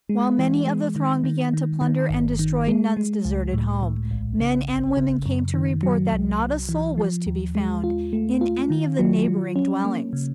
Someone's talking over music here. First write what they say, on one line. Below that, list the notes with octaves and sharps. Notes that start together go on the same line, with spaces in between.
While many of the throng began to plunder and destroy Nun's deserted home, men and women came to report that not a soul was to be found in any of the neighboring dwellings.
G#3
E3
G#3
D#3
D#3
D#3
D#3
G1
D#3
G#3
G#3
C#2
A2
A2
A#1
C#3
G1
C#3
F#2
D#3
F#3
C2
C2
E3
F3
D#2
G#3
F4
A3
F4
D#3
F#3
F#3
C#4
A#3
C#3